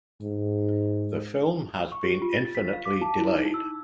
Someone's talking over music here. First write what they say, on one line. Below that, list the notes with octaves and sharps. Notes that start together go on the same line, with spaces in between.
The film has been infinitely delayed.
G#2
C#6
G4
F4
A6
B6
F5
D6
A5
E4
D#4
E6